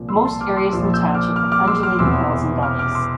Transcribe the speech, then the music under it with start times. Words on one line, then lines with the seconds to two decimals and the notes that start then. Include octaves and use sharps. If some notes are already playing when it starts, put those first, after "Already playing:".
Most areas in the township have undulating hills and gullies.
Already playing: C2 A#2 F3
0.09 C6 E6
0.25 A5 C6
0.40 D6 F6
0.56 C6 E6
0.72 A#1 A#2 F3 C6 E6
0.94 E6 G6
1.15 D6 F6
1.36 D6 F6
1.52 D6 F6
1.67 C6 E6
1.83 D6 F6
1.99 E1 E2 C3 C6 E6
2.63 D6 F6
2.79 D6 F6
2.95 C6 E6